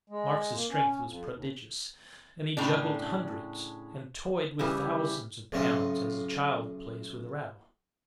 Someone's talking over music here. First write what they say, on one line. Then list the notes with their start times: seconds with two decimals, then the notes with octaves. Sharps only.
Marx's strength was prodigious, and he juggled hundreds, and toyed with thousands, of pounds as a child plays with a rattle.
0.10 G#3
0.55 A#3
0.70 C#4
1.05 F2
1.32 D#2
2.57 A2 C#3 D4
4.59 C#3 E3 G3 E4 G4
5.53 B1 A2 C#3 B3 C4